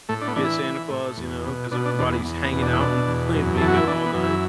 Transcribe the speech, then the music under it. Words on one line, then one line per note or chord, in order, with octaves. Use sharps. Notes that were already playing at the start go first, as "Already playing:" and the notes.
get Santa Claus?" You know, 'cause everybody's hanging out, and playing bingo all night.
A2 A3
D4
B3
E3 D4
E4
E3
A2
E2
B2
B2 D4
D4
E2 D4
B3
E2
B3
B2
D4
E4
B2 D4
E2
F#2
E3 A4
F#4
E4
E3 D4
B3
F#2
E4